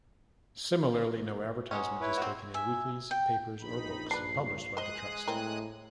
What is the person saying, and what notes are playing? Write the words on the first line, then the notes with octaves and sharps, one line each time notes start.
Similarly no advertisement is taken in weeklies, papers or books published by the Trust.
F#3 G#3 C#4
E4 B4 C#5
C4 F#4
E5 G#5
G5
A#1 D#4 B5
G2 D4 B4 C7
G#3 C5 D#5 D#6 F#6
A2 C4 A#4